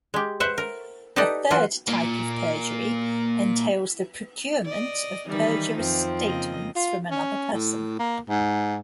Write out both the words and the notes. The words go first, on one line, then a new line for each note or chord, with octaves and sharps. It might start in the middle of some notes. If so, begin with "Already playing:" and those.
A third type of perjury entails the procurement of perjurious statements from another person.
G#3 G4
B4 C5 E5 F#5
A#4
D#4 G4 A4 B4 D5 D#5
E3 F#3 F4 F#4
A#2 A#3
D5 D#5
D#3 E3 G3 D#4 B5
F2 F3 C4
C#3 A#3 D#5
F4
C#4
A2
A#3
G#2